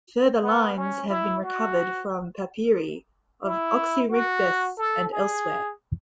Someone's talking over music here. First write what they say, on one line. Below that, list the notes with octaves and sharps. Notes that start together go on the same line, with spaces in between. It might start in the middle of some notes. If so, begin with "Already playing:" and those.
Further lines have been recovered from papyri of Oxyrhynchus and elsewhere.
B3
C#4
E4
F#4
E4
F#4
A4
G#4